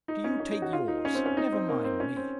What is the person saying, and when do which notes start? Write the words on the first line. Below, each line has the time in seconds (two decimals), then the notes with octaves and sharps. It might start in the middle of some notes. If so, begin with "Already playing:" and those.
Do you take yours; never mind me.'
0.08 D#4
0.24 C#4
0.40 C#4
0.52 D#4
0.62 F#4
0.73 F4
0.88 D#4
1.05 C#4
1.15 C4
1.26 C#4
1.37 D#4
1.52 C4
1.68 A#3
1.85 C4
2.00 C#4
2.16 C4